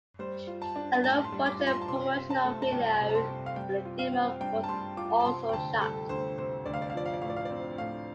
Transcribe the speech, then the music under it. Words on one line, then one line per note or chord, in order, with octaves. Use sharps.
A low-budget promotional video for the demo was also shot.
G3 C5
F4
A5
D4
A2 A5
C6
G3
D6
F4
C6
A5
C3 C6
C4
A5
A3
A5
C2 G5
C3
A5
C6
C4
F5
G3 G5
F4
F5
C4
G2 G5
A5
G3 C6
F4 D6
A5
C3 C6
G5
D2 A5
G3 A4
D2 C5
C3 C5
D2 D5
F5
D5
F5
F3 D5
F5
D5
A2 F5
D5
F5
C4 D5
A2 F5